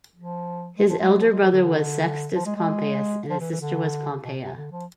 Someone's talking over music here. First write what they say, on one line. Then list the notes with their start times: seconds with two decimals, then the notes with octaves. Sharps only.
His elder brother was Sextus Pompeius and his sister was Pompeia.
0.16 F3
0.78 G#3
0.89 F3
0.99 G#3
1.10 G#3
1.20 F3
1.30 G#3
1.41 F3
1.52 D3
1.62 D3
2.35 F3
2.46 G#3
2.56 G#3
3.30 F3
3.40 E3
3.51 E3
3.61 D3
4.24 B2
4.45 C3
4.56 D3
4.71 F3